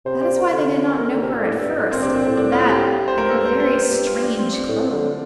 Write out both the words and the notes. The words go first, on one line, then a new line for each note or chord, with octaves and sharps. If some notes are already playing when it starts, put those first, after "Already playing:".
That is why they did not know her at first, that and her very strange clothes.
C3 C5
D5
A#4
D3
A#4
D#3 A4
D3
A#4
C3
A#2 A4
A2 D4
G2
A2
A#2 C4
C3 D4
A#2 C4
A2
A2 D4
F4
G4
C5
A#4
G2 A4
C5
C5
G4
F4
D4
C4
D4
A2
D3